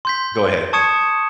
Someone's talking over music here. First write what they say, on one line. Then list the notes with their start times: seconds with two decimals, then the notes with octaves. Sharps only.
Go ahead.
0.05 C6 G6 B6
0.73 A5 C#6 D#6 G#6 C#7 E7